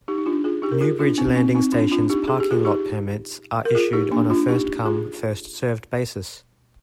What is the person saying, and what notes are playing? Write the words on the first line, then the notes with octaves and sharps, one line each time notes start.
New Bridge Landing station's parking lot permits are issued on a first-come, first-served basis.
D#4 G4
D#4
D4 F4
F4 G#4
D#4 G4
A#4
F4 G#4
D4 F4
C4 D#4
C4 D#4
C4 D#4
D4 F4
D4 F4
D#4 G4
G#4
G4
F4 G#4
D#4 G4
A#4
F4 G#4
D#4 G4
A#3 D4
D4 F4
D#4 G4
F4 G#4